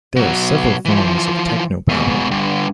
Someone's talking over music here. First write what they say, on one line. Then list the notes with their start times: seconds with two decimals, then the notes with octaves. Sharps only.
There are several forms of technobabble.
0.16 B2 F#3
0.85 E3 F3
1.89 G#2 B2
2.31 G2 D3